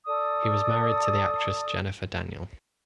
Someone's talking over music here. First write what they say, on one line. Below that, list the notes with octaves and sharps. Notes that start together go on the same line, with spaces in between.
He was married to the actress Jennifer Daniel.
A4 D5 D#6